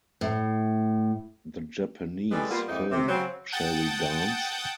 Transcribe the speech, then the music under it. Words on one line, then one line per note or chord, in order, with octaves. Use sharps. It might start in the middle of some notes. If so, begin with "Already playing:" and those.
The Japanese film Shall We Dance?
A2
E3 G3 G#3 G#4 A4 B4
G3 A#3 B3 F4
F2 G#2 F3 A#3 D#4 E4
C3
C#3 F#3 C4
F#5 G5 A5 D#6 G6 A6